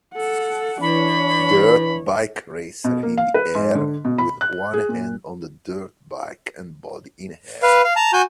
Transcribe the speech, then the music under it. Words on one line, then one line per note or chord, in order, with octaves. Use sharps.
Dirt bike racer in the air with one hand on the dirt bike and body in air.
A4 F#5
E3 D4 C#5 B5
B2
A#3
F5
B4
G#2
D3
B2
B5
F#6
G#4
A#2
B4 F5
F5
A5 A#5
F#4 G#5 G6